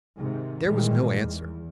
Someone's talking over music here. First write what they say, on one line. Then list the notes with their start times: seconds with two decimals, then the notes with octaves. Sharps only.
There was no answer.
0.18 G#2 C3 D#3
0.66 A#2 D#3 E3 G3 G#3
1.22 E2